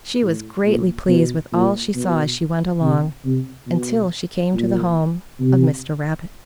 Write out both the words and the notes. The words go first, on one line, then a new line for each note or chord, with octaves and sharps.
She was greatly pleased with all she saw as she went along, until she came to the home of Mr. Rabbit.
A2
A#2
B2
A#2
B2
C3
C3
B2
A#2
C3